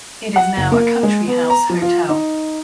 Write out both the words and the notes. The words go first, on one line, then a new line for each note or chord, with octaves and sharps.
It is now a country house hotel.
F#5
F#1
A#3
G#3
B3
A#5
F3
F4
D#4